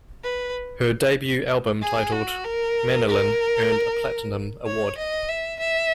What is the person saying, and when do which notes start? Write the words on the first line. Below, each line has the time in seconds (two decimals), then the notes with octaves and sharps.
Her debut album titled "Manilyn" earned a platinum award.
0.24 B4
1.82 G#4
2.13 F#4
2.44 A#4
3.08 A#4
4.66 C#5
4.98 D#5
5.29 E5
5.60 E5